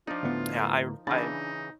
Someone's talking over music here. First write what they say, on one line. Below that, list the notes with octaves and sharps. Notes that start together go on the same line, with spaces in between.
Yeah, I r I
F3 D4 D#4 F4 D5
D2 A2 B3
A#4 C5 A#5
C#3 E3 D4 D#4 A5 B5